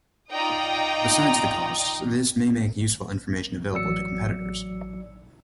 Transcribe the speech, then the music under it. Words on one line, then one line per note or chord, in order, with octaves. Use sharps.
Besides the cost, this may make useful information available to competitors.
D#4 F4 D5 G5 A#5 D#6
A1 F#3 D5 E6 C#7